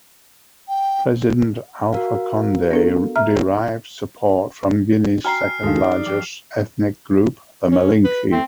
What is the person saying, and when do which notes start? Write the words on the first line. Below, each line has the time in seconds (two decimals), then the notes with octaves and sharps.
President Alpha Conde derives support from Guinea's second-largest ethnic group, the Malinke.
0.69 G5
1.93 F#4 A#4 F5
2.71 B3 D4 A4
3.16 E5 A#5 F6
5.24 F#4 G5 G#5 A#5 F6 C7
5.63 D#2 G#3 D#4 F#4 G4 A4 F5
5.82 G#4 D5
6.06 F3 G5 D6
7.72 C#4
8.04 B4
8.32 A3 C4